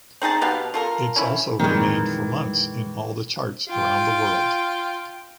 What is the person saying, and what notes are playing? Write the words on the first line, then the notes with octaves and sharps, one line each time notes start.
It’s also remained for months in all the charts around the world.
C4 D#4 G#4 A5
B2 B3 G4 F5
F4 A4 A#4
C#4 E4
F2 A#2 D#3 E3 G#3
F4 G5